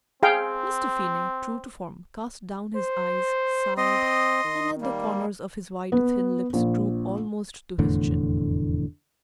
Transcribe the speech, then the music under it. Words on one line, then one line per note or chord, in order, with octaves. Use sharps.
Mr. Finney, true to form, cast down his eyes, sighed, and let the corners of his wide thin lips droop almost to his chin.
C4 G#4 F5 G5
C5
C4 D#5 C6 D#6
D#3
G3 A#3
B3
A#1
F1 E2 A2 D3